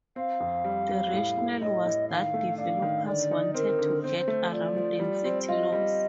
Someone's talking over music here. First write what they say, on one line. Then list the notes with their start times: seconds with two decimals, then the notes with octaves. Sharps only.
The rationale was that developers wanted to get around density laws.
0.16 C4 F5
0.40 F2
0.64 G3
0.89 G3
1.13 A2
1.37 A2
1.61 A2 D#5
1.86 A2
2.10 D#3 F5
2.34 A3
2.58 D4 F5
2.82 D#3
3.06 D3 D5
3.31 D#4
3.54 C4 A#4
3.79 D3
4.03 C4 C5
4.28 A3
4.52 F3 D5
4.76 F3
5.00 G3
5.25 C4
5.49 F4 D#5
5.72 G3